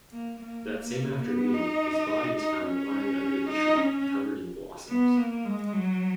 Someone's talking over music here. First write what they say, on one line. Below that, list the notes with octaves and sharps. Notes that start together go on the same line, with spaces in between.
That same afternoon, his body is found lying under the tree, covered in blossoms.
A#3
A#3
B3
D#4
D#4
C#4
D#4
C#4
B3
A#3
G#3
F#3